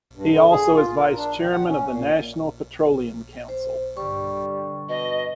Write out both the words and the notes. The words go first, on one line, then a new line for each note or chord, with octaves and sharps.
He also is vice chairman of the National Petroleum Council.
G2
D3
G#4
F4
A#4
D4
D#3
F#5
C#4
A#2
C5
G2 D3 G3 C#6
B2 D#5